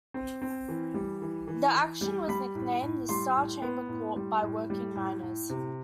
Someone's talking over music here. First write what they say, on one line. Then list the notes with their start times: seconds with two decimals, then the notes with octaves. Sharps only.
The action was nicknamed the "star chamber court" by working miners.
0.14 C4
0.42 C4
0.68 E3
0.94 G3
1.22 E3
1.48 E3
1.75 E3
2.01 G3
2.28 G3 B5
2.55 A2
2.82 A2
3.09 G3 C6
3.36 A2
3.62 B3
3.89 A2
4.16 G3
4.42 A2
4.70 G3
4.96 A2
5.22 A2
5.49 C3